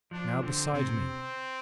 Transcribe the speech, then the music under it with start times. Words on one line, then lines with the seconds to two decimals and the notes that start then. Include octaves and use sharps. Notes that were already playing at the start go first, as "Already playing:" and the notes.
Now beside me!
0.11 F3 D4
0.43 D3 C4
0.73 C3 C4
0.88 C3